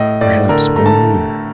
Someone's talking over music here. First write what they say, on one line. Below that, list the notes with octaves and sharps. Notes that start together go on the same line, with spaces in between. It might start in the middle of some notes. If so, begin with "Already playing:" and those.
'Perhaps one year.'
Already playing: A2 D#5
A2 D5
D3 A#4
A3 A#5
A5